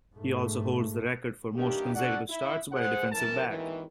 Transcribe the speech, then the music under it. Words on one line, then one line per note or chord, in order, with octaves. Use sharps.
He also holds the record for most consecutive starts by a defensive back.
G#2 A3
G2 D#3 E3 A#3 D4 G4
D4 F#4 A4 D5 F#5
E4
G#4 C5 F#5
F#2 E3 A#4 A5
G#1 D#2 B2 D#3 E3